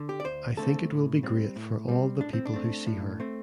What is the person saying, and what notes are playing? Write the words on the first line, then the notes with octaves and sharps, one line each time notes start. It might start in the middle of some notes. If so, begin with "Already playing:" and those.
I think it will be great for all the people who see her.
Already playing: D3
G4
D5
D2 C5
D3 A3 C4 A4
A2
G3 C4
A2
G3 C4
A2 D4
C4
D4
A3 C4
A2
A3 C4